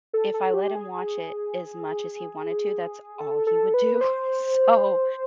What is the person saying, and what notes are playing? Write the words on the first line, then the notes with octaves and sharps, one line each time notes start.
if I let him watch it as much as he wanted to, that's all he would do, so
A4
A4
G4
G#4
A4
A4
B4
C5